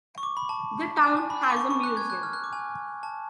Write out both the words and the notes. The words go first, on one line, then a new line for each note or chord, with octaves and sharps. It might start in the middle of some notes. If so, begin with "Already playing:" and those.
The town has a museum.
C#6
D6
B5
A5
A5
G#5
A5
B5
C#6
D6
C#6
C#6
F#6
G#6
F#6
F6
F#6
D6
G#5
A5